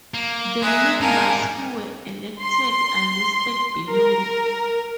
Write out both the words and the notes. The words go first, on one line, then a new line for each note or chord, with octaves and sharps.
The members who were elected are listed below.
A#3
G#3 E5 G#5 A#5 D#6 F#6
G#2 G3 D#4 A#4 F5 G#5 A5
C6
A#4